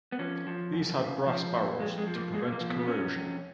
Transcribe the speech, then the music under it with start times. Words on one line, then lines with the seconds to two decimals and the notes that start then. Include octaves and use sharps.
These had brass barrels to prevent corrosion.
0.12 B3
0.19 F3 C#4
0.47 F3
0.73 F#2
1.00 C#3
1.27 F3
1.53 A#2
1.80 F2 G#3
1.98 G#3
2.07 F3
2.16 A#3
2.34 A#2 G#3
2.52 A#3
2.60 F3
2.69 B3
2.79 B3
2.87 F2 C#4
3.14 F2